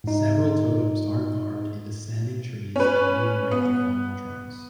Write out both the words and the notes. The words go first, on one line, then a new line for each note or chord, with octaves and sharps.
Several totems are carved into standing trees and re-erected fallen trunks.
G#2 D#4
C#4 B4
B3